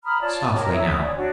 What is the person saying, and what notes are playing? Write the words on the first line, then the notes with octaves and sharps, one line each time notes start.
Softly now.
A#5 B5 D#6 F6
F4 C#5 D5 A5
G4 A#4 C#5 D#5
E4 C#5 E5 D#6
C#5 D5 G#5
D4 F#4 C#5